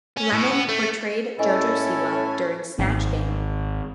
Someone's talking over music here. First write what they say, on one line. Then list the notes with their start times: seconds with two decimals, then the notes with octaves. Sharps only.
Lemon portrayed Jojo Siwa during Snatch Game.
0.17 C#4
0.32 A2
0.51 B3
0.69 A3
1.39 A2 C#4 E4 A4 D#5 G#5
2.79 G#1